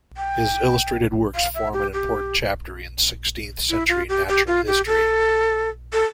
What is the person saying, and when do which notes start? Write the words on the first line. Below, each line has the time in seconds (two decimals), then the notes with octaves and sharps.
His illustrated works form an important chapter in sixteenth century natural history.
0.17 G5
1.35 F5
1.55 E5
1.73 G4
1.94 G4
3.70 E4
3.89 F4
4.09 G4
4.29 G4
4.47 F4
4.68 G4
4.87 A4
5.93 A4